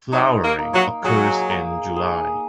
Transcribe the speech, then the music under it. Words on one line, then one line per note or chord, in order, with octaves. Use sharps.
Flowering occurs in July.
F#3 D#4
A#3
A#3
F#3
F#3 G#4
A#3
G#4